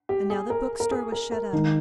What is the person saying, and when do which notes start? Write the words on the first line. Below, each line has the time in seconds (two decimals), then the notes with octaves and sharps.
And now the bookstore was shut up.
0.09 G4
0.30 G#4
0.50 A#4
0.80 A#4
0.91 G#4
1.12 A#4
1.32 A#4
1.53 D#3 G#3 D#4